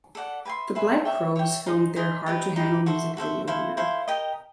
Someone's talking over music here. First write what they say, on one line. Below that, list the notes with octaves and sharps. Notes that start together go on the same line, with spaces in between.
The Black Crowes filmed their "Hard to Handle" music video here.
A4 D5 F#5
B4 E5 G#5 C6
B4 E5 G#5 C6
C#5 E5 G5
C#5 E5 G5
D#4 G#4 C5
D#4 G#4 C5
D#4 G4 B4
D#4 G4 B4
F#4 A4 C5 E5
F#4 A4 C5 E5
E4 A4 C5 F5
E4 A4 C5 F5
G4 A#4 D#5 G5